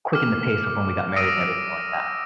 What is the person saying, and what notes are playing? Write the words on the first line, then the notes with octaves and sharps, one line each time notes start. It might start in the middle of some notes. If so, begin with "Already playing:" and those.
quickened the pace of when we got married and everything like that.
D6 F6
D#6 E6 A#6 D7 D#7